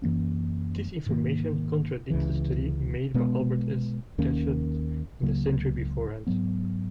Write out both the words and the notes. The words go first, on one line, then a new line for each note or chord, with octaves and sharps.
This information contradicts the study made by Albert S. Gatschet in the century beforehand.
F#2 E3 A#3 C#4
G#2 D#3 A#3
C#2 C#3 E3
B2 G#3 B3
D#2 D#3 A#3 C#4
C#2 C#3 F#3 A#3
G#2 F#3 B3